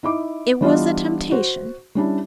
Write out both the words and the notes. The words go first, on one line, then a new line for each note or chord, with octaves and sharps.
It was a temptation.
D#4 E4 D6
E3 G3 B3 D4 F4 D#5
F#4 C5
G3 C#4 D4 E4